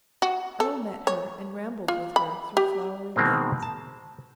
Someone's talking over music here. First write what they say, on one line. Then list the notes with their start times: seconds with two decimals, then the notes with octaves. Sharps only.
Earle met her and rambled with her through flowery lanes.
0.22 F#4
0.60 A4
1.07 C#5
1.88 F4
2.16 B5
2.57 G4
3.16 B2 D#3 G#3 A#3 C4
3.63 A5